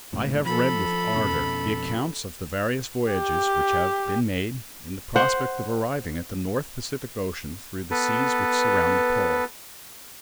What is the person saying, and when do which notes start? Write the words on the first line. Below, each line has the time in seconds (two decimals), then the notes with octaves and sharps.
I have read with ardour the accounts of the various voyages which have been made in the prospect of arriving at the North Pacific Ocean through the seas which surround the pole.
0.13 G1 C#2 A2
0.45 F3 A4 B5
1.14 F2 B2 C#4
3.12 G4
5.16 C5 F#5
7.91 B3 A4 B4